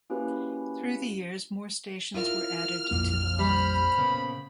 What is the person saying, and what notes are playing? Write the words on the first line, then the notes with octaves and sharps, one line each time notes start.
Through the years, more stations were added to the line.
A#3 C#4 E4 F#4 G4 B4
E4 F4 A#4 F6
A#1 F2 A#3
G3 C5 B5
A#2 C#3 B3